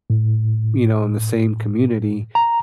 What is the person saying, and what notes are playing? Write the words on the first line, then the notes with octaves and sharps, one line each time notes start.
you know, in the same community,
A2
A#5